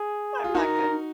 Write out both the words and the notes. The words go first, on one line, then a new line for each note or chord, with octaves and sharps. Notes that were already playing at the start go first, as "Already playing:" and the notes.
I'm not good.
Already playing: G#4
F4
D#4 F#4 A#4